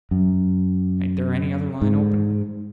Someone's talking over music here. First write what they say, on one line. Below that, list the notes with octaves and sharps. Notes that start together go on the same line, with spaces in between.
Ain't there any other line open?'
F#2
G#2